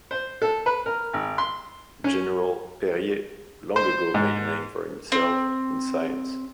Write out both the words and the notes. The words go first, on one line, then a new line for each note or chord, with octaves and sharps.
General Perrier long ago made a name for himself in science.
C5
A4
B4
A#4
G#1
C6
C#4
C5
G#2
C4